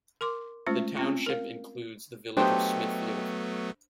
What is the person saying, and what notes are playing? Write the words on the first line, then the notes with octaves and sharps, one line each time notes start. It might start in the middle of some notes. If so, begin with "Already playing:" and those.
The township includes the village of Smithfield.
A#4 C6 D6
G#3 A3 C#4 F4 C5
C4 C#4 F4
A#4 F5
F#3 A3 B3 D4 G4 C5 D#5